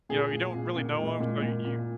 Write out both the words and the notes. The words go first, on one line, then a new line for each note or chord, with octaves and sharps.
you know, you don't really know him, so you you
A#2 G#4
A#2
A#2
A#2
G#3
A#2
A#2
A#2